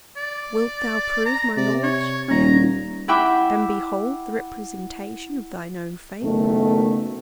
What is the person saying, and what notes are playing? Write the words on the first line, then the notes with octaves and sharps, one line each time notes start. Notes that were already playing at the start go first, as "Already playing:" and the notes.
'Wilt thou prove my knowledge, Ione, and behold the representation of thine own fate?
D5
A#5
C3 D5
C#5
D#1 A#5
E4 E5 F#5 G5 B5 D6
F#1 B2 D#3 F#3 A3